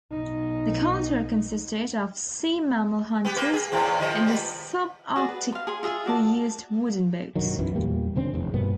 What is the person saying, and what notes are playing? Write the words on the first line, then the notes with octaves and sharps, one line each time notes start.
The culture consisted of sea-mammal hunters in the subarctic who used wooden boats.
B1 D#4
B3 G4
A#3 B4
G#4
E2 A2 C4
D#3 F3 D#5
G3 B3
F#4 G#4 B4 D5
B4
F5 C6
G#4 G#5 C6
F4 G#4 E5
F#4 D5 A5
B1 G2 D#3 F#3
F#2 B2 E3
E2 A#2 G3 A#3
F1 D3 C4 C#4
F1 E2
G2 B2 A#3 B3